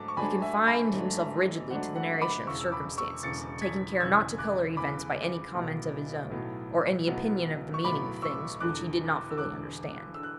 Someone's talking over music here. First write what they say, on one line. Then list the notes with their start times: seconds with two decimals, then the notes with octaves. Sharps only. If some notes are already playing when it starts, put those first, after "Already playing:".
He confined himself rigidly to the narration of circumstances, taking care not to colour events by any comment of his own, or any opinion of the meaning of things which he did not fully understand.
Already playing: G#2 F#3 A3 D4 A5 D6
0.08 C#6
0.16 G#2 F#3 A3 D4 G#5 B5
0.42 E5 G#5
0.67 G#5 B5
0.93 G#2 F#3 A3 D4
1.70 G#2 F#3 A3 D4 F#5
1.96 F#5
2.22 B5 D6
2.47 E1 E2 C#3 C#6 E6
2.61 E6
2.72 B5 D6
2.98 C#6 E6
3.23 E1 E2 C#3 A6 C#7
3.62 G#6 B6
4.00 E1 E2 C#3 E6 G#6
4.38 D6 F#6
4.77 E1 E2 C#3 B5 D6
5.54 B1 A2 F#3 B3
6.30 B1 A2 F#3 B3
7.07 B1 A2 F#3 B3
7.74 C#6
7.84 B1 A2 F#3 B3 B5 D6
8.22 C#6 E6
8.60 E1 E2 D3 D6 F#6
9.31 E6
9.37 E1 E2 D3 D6 F#6
10.14 D3 E6
10.23 F#6